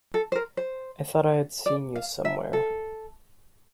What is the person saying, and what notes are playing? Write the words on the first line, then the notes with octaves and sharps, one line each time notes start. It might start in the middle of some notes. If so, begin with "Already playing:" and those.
I thought I had seen you somewhere.
A4
C5
A#4
C5
D5
F5
E5
A4